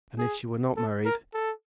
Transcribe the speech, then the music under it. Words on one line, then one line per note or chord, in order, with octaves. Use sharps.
"And if she were not married?"
G#4
A4
A#4
A4